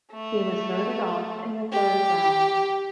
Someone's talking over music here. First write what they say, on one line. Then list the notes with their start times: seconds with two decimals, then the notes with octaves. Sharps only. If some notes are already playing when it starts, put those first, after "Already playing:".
He was voted off in the third round.
0.13 A3
1.73 G4